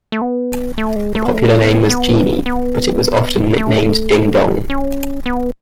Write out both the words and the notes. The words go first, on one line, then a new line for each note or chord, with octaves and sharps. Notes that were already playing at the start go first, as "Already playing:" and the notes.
The popular name was "Genie", but it was often nicknamed "Ding-Dong".
A3
B3
A3
G#3
A3
B3
A3
B3
B3
B3
A3
C#4
B3